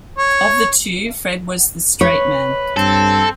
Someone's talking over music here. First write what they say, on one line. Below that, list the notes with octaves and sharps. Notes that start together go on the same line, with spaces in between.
Of the two, Fred was the "straight man".
C#5
B4 C#5
G2 C4 A4